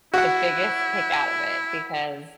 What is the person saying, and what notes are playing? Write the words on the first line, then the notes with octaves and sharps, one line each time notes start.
the biggest kick out of it because,
E4 F#4 F#5